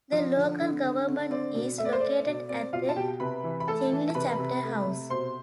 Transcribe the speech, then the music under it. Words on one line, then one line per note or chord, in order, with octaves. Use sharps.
The local government is located at the Chinle Chapter House.
F3
D3
D3
D3
D3
C4 D5
B2
A3 E5
D5
C5
A3 D5
B2 D5
C4 D5
B2 F4 F5
A5
B2 G4 G5
C3 B4 B5
E3
B5
A3 A4 A5
E3
C3 B4 B5
C3
A3
C3
B2 C5 C6